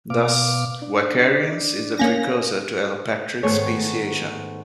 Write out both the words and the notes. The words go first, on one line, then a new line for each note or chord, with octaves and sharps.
Thus vicariance is a precursor to allopatric speciation.
B2 F5 D6
D4
A#3 C#4 A#6
G#2 D#3 A3 B3 G#4 C#5